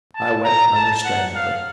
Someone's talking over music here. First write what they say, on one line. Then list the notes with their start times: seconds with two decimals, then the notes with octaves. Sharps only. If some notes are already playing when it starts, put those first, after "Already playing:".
I wept unrestrainedly.
0.14 A5
0.44 A#5
0.74 A5
1.04 F#5
1.35 F5